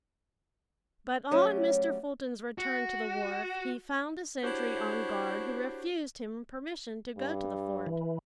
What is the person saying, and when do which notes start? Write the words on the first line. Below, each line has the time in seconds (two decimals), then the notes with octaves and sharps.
But on Mr. Fulton's return to the wharf he found a sentry on guard who refused him permission to go to the fort.
1.31 F#3 G3 A3 C#4
2.58 F#4
4.44 D4 E4 F#4 G4 C5 C#5
7.18 G2
7.87 E3